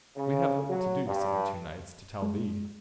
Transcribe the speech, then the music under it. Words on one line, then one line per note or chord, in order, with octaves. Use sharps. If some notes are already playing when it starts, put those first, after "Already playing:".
We have little to do, said the two knights, to tell thee.
C#3
F#3
G2
G#3